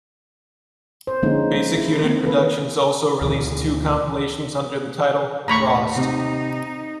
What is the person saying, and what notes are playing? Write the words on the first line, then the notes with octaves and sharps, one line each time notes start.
Basic Unit Productions also released two compilations under the title, "Frost".
C5
D3 F3 G#3 A#3 C#4 D#4
G#3
E4
D#3 A#3 C4
A4 B4
D2 B2 D3 E3
D#2 A2 A#5 B5 C#6
C3 D#4